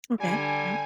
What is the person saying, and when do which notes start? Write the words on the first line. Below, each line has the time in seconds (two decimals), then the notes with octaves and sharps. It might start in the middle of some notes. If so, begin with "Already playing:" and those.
Okay, yep.
0.20 D3 G3 G#5